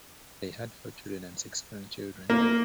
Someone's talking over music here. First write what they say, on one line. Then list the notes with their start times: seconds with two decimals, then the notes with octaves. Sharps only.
They had four children and six grandchildren.
2.30 A#3